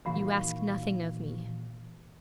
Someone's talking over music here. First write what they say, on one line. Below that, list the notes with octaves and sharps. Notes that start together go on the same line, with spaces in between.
'You ask nothing of me.
A#2 D#3 E3 F#4 F5 B5